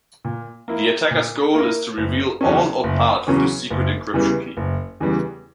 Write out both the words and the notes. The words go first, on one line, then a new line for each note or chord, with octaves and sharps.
The attacker's goal is to reveal all or part of the secret encryption key.
A#2
A#3 E4 A#4
A#2
A#3 E4 A#4
F#1
E2 C#3 F#3 C#4
F#1
E2 C#3 F#3 C#4
F#1
E2 C#3 E3 G3
F#1
E2 C#3 E3 G3